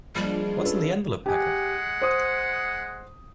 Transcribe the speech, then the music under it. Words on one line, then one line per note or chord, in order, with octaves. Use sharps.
What's in the envelope packet?
F3 G3 G#3 A#3 D4 F4
C#4 A4 B4
G#3 G4 F#5 G#5
C5 D#6